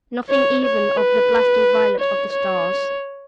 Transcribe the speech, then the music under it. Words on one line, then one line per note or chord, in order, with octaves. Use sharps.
Nothing even of the blasting violet of the Stars.
C#5
C#5
B4
C#5
C#5